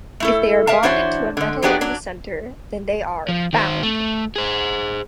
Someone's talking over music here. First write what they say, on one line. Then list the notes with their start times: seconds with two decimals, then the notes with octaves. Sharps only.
If they are bonded to a metal in the center, then they are "bound".
0.20 A3 E4 A4
0.67 A#4 E5 F5 A5
0.83 E3 D4 E4 F#4 C5 C#5
1.37 D3 G#3
1.62 F3 F#3 B3 D4 G4 G#4
1.81 F#3 D4
3.29 F3
3.53 D#3 C5
3.83 A3
4.36 G#4 C5